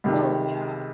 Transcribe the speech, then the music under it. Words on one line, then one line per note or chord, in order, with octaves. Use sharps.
Oh yeah.
C#2 C3 D#3